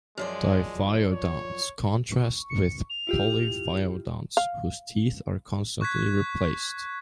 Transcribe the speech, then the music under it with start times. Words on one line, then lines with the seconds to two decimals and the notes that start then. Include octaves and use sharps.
Diphyodonts contrast with polyphyodonts, whose teeth are constantly replaced.
0.17 F#2 F3 G#3 D5
1.11 C#5
2.12 C#6
2.50 C#7
2.90 F7
3.07 E4 F4 G4
4.37 F5
5.81 C#6 F#6 G#6 B6